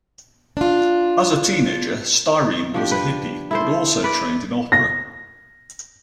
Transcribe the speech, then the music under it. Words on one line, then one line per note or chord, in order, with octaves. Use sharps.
As a teenager, Styrene was a hippie but also trained in opera.
D4 F4
F3 D4 G4
B4
E4 A4 C5
B4 D5
A#6